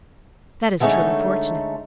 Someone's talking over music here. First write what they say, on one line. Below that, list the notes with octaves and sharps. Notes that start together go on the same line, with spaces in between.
"That is truly fortunate."
D3 G#3 A3 D4 D#4 C#5